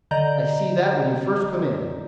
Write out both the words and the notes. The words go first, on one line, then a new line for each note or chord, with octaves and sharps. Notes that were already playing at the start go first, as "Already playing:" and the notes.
I see that when you first come in.
D3 D5 D#5 A#5 G6